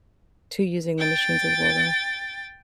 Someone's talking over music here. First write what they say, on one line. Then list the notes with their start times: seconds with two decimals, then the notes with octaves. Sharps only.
to using the machines as well, though.
0.98 G5 A6